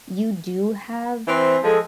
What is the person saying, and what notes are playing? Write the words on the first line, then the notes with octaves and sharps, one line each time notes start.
you do have
E3 C4
F3 G#3 A4